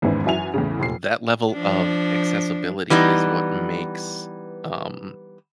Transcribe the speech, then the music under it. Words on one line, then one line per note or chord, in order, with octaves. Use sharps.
that level of accessibility is what makes um,
G#1 E2 G#2 B3 C#4 E4
F#2 E3 F#4 E5 G#5 F7
E2 A2 C#3
F1 A#2 C7
F3 D4
E3 G3 B3 D#4